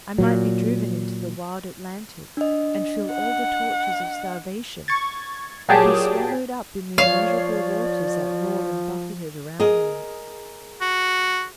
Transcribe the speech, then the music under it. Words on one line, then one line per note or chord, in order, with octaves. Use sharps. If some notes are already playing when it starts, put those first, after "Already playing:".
I might be driven into the wide Atlantic and feel all the tortures of starvation or be swallowed up in the immeasurable waters that roared and buffeted around me.
A#2 F#3
D4 D#5
F#5
C#6 G#6 A6
A#2 F#3 G4 G#4 A5 D7
F3 C#5 D5 F5
G#4 A#4 D#5
F#4